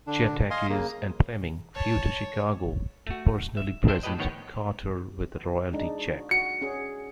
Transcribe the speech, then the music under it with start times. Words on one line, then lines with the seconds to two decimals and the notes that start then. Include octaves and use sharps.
Chairetakis and Fleming flew to Chicago to personally present Carter with a royalty check.
0.07 D3 D4
0.50 D#5 F5 G#5 C6
0.69 C#3 A#3
1.75 C#5 A5
3.07 A3 F#4
3.57 E5
3.88 D4 C5 E5 G5
4.03 A2 G4 B4 D#5
4.19 A1 D#3 B3 C#5 G5
5.73 G#3 D4 D#4
6.31 F#4 C#7
6.62 C#4 G#4